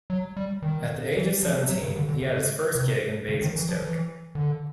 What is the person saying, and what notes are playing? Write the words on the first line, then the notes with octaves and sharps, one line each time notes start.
At the age of seventeen he had his first gig in Basingstoke.
F#3
G3
D#3
E3
F3
F#3
C#3
D3
D3
C#3
C3
C#3
D#3
E3
F3
E3
D3